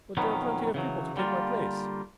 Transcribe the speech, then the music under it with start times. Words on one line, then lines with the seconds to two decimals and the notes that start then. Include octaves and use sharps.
But there are plenty of people to take my place.
0.17 F2 B2 D#3 F#3 B3 C#4
0.74 C#3 E3 F#3
1.16 D3 G3 A#3 F4